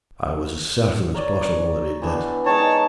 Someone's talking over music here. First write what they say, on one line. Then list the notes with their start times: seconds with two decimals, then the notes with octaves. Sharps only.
I was as certain as possible that he did.
1.14 A#4 C#5 D5
2.02 E3 B3 D4
2.46 D#3 G#3 D#4 C#5 A5